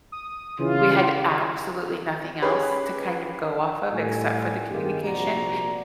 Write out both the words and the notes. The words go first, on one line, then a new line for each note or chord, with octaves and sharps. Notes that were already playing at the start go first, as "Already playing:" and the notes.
We had absolutely nothing else to kind of go off of except for the communication,
D#6
C#3 E3 F4
C#4 G4 G#4 B4 B5
A2 G3 G#5
G2 D#3 G#3 B3 F4 G4
A#1 C3 F#4 D5 A#5